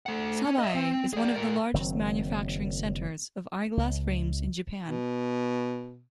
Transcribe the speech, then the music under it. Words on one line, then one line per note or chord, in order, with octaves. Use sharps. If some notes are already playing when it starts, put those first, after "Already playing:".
Sabae is one of the largest manufacturing centers of eyeglass frames in Japan.
A3 F#5
C#4
D#5 E5
C4
G#4 D5
A2 A#4
F#1 D#3 F#3 C4
C#2
B2